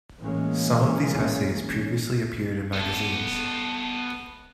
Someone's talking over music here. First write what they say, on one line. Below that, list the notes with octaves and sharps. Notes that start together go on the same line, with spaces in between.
Some of these essays previously appeared in magazines.
A2 E3 G#3 A#3 C#4
B3 A4